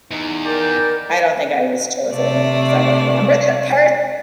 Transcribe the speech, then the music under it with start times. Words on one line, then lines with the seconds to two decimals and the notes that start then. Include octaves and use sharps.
I don't think I was chosen 'cause I don't remember that part.
0.11 E2 D#4
0.45 A#4 D5 G5
2.13 C3 A3 D5